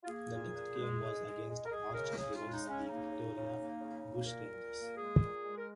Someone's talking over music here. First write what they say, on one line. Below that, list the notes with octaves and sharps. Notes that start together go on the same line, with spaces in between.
The next game was against arch-rivals the Victoria Bushrangers.
F4
A#3 G#4
A#2
A#2
G#3
G#3
G#3
G#3
A#4
G#3 G#4
C#3 A#4
C#3 G#4
F4
G#3
D#4
C#3
C#4
A#3 D#4
C#3
C#3
A#3
C#3
A#3
A#2 A#4
A#2
A#3
G#3 G#4
A#2
G#3
A#4